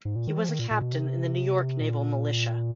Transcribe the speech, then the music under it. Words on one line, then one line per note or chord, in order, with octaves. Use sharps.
He was a Captain in the New York Naval Militia.
G#2
A#2
D#3
F3
D#3
A#2
A#2
B2
C3
A#2